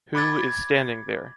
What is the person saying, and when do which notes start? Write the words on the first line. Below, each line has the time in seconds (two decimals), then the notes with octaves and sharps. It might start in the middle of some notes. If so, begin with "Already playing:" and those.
Who is standing there?
0.15 B5 D6 G#6 A6